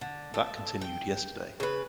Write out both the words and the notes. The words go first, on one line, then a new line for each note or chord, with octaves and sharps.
That continued yesterday.
D3
A4
G5
C#3 B4